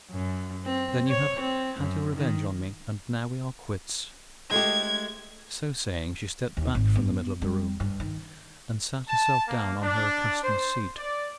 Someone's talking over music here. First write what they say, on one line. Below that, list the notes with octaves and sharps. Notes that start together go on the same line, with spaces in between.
"Then you have had your revenge on me, and now we are quits." So saying, she stepped back from the middle of the room, and sat herself down on her accustomed seat.
F#2
C4
C#5
C4
F#2
D#3
G#3 A3 G4 G#6
D#2
G#1
B3
G3
G2
D#3
A5
A#3
D4
C5
D5